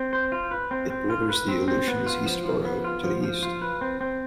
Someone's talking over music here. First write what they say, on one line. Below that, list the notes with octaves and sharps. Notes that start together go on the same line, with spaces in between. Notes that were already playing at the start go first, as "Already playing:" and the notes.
It borders the Aleutians East Borough to the east.
Already playing: C4
C5
F4
B4
C4
C4
F4
B4
C4
C4
B3
F4
F3
F3
B3
F4
F3
F3
F4
B4
C4
C4